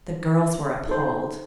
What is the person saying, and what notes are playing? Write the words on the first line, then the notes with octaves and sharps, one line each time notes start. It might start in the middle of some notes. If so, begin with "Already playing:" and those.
The girls were appalled.
D#4 A4 C5